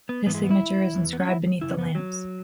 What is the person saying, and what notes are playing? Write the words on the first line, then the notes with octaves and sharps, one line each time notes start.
His signature is inscribed beneath the lamps.
B3
G#2 E3 B3
G#3
B3
E4
E2 E3
B3
C#4
E4
F#2 C#3 E4
C#4
B3
F#3